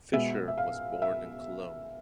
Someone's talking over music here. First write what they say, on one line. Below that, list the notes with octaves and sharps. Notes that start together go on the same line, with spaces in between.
Fisher was born in Cologne.
B2 G#3 B3 E5
E5
F5
E5